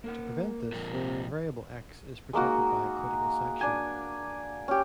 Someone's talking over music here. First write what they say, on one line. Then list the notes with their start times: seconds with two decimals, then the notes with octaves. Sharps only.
To prevent this, variable 'x' is protected by a critical section.
0.04 A#3 A#4 F#5
0.72 F2 A#2
0.92 C3
2.33 G#3 A#3 D#4 F#4
3.61 D4 G#5
4.68 C#4 G4